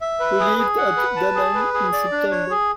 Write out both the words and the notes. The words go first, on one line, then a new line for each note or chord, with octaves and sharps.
Relieved at Da Nang in September.
E5
B4
G#4
G#4
F#5
B4
A5
G#4
B4
G#4
D5
D4
C#5
G#4